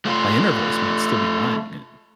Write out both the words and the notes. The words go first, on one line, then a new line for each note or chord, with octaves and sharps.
my inner voice might still be rhyming it.
A3 F4